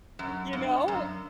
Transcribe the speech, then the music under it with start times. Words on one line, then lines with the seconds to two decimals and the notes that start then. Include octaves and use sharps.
you know?
0.19 F#2
0.53 G2
0.88 F#2